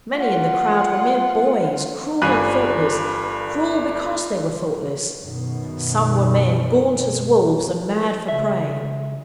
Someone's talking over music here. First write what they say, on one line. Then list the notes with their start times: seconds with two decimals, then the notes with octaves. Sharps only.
Many in the crowd were mere boys; cruel and thoughtless,--cruel because they were thoughtless; some were men, gaunt as wolves, and mad for prey.
0.15 F4 F#5
2.22 G1 G2 F4 G#5 F#6 D#7
5.22 F#2 B2 D#3
8.28 C#2 E5